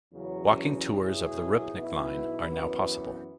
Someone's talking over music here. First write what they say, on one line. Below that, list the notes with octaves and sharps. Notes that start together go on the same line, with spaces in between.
Walking tours of the Rupnik Line are now possible.
E2 C#3 F#3 C#4
B2 F#3 E4 G#4
B1 B2 B3 E4
F#2 E3 B3